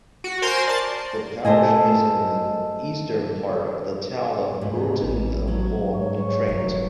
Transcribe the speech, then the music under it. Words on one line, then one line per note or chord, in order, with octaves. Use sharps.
The parish is in the eastern part of the town of Burton upon Trent.
F#4
A#4 C5 G#5 A#5 C6
D5 A5 A6
A3 C5 D#5 G#5
D2 G#2 B2 E3
A1
F#3
G#2 C#5
F1 E3 F#3